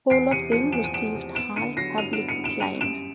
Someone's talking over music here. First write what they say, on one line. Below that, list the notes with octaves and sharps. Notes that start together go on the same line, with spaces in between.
All of them received high public acclaim.
E2 C7 D7
C3 C#7 D#7
F3 C#7 D#7
E2 D7 E7
D#7
E2 D7 E7
C3
B3 D7 E7
D3 C#7 D#7
F#3 A#6 C7
G2 D#7 F7
D7 E7
B3
C#7 D#7
D3
D7 E7
G3 D#7 F7
F#2 D7 E7